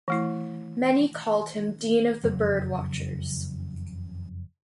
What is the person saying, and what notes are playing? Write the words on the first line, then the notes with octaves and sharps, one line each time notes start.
Many called him Dean of the Birdwatchers.
E3 A3 E4
F#1 F2 C#3 F#3